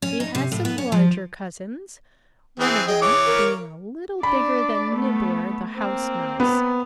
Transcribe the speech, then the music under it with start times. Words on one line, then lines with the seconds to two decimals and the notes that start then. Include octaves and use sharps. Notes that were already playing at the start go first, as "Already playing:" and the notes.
He has some larger cousins, one of them being a little bigger than Nibbler the House Mouse.
0.02 C#4
0.20 D#4
0.35 C3
0.52 A2
0.65 B3
0.78 C#4
0.92 F3
2.60 E3 C4 G#4
2.88 G#4 D#5 G5
3.02 E3 C#5 D6
3.26 A#4
4.23 D4 D5 B5
4.91 A3 B3
5.74 A#3 C4
6.40 B3